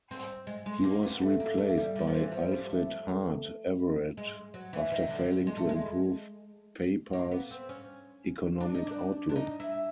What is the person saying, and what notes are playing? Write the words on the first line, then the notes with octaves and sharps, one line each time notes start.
He was replaced by Alfred Hart Everett after failing to improve Papar's economic outlook.
C4
G#3
G#3
A#3
B3
A3
A#3
A3
G3
D3
F3
E3
F3
G3
A3
G#3
F#3
E3
D#3
D3
G#3
A3
G#3
A#3
B3
C4
C#4
D4
D#4
D4
D4
D#4
E4